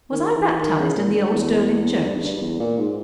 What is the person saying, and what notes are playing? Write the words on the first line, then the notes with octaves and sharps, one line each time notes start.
Was I baptized in the old Sterling church?
D#3
E3
D#3
C#3
A#2
E2
G2
E2
G2
E2
G2
G2
E2
A#2
G#2